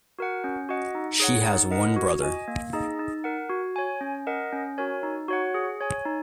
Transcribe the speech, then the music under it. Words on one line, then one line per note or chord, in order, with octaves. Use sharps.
She has one brother.
F#4 A#4 F#5
C#4
F#4 D#5 F#5
D#4
G#4 C#5 F#5
D#4
A#4 D#5 F#5
F#4
D#5 G#5
A#3
D#4 G#4 D#5
D#4
A#4 F#5
F#4
C#5 G#5
C#4
A#4 D#5 F#5
C#4
F#4 A#4 C#5 G#5
D#4
F#4 C#5 F#5
G#4
C#5 G#5
D#4